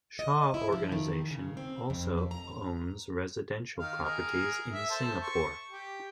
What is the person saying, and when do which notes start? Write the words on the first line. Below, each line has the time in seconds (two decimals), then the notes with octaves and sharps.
Shaw Organisation also owns residential properties in Singapore.
0.19 D#5
0.54 E4
0.72 F3
0.92 D#3
1.31 C#3
1.57 C4
1.90 F2
2.31 A#5
3.77 D#3 F5
4.04 G#4 A#4
4.72 E5
4.90 A4 C5 A5
5.22 C#6
5.70 G4